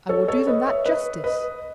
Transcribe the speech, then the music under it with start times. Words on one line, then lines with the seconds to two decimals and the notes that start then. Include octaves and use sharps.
I will do them that justice.
0.09 A4 C#5
0.28 A4 C#5
0.47 B4 D#5
0.67 C#5 E5
0.86 B4 D#5
1.24 B4 D#5